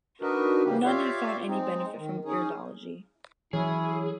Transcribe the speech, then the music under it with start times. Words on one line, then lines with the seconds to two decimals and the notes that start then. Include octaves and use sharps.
None have found any benefit from iridology.
0.21 D4 D#4 F#4 A#4 B4
0.64 C#3 E3 G3 A#3 G4
0.85 F4 G4 C#5 D5 E5 F5
1.48 G#3 C4 D#4
1.98 D#3
2.25 C#4 D#4 G#4
3.53 E3 F#3 C#4 E4 G#4